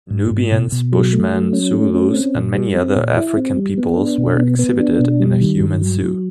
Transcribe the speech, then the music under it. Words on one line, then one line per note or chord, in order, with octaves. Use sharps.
Nubians, Bushmen, Zulus and many other African peoples were "exhibited" in a human zoo.
G#2
G#2
B2
B2
F#3
A3
F#3
C#4
A3
C#4
C4
A#2
G3
C4
A#2
E4
C4
G3
B3
D4
B2
B3
B3
D4
B2
G3
D#3
G2
F#3
F#3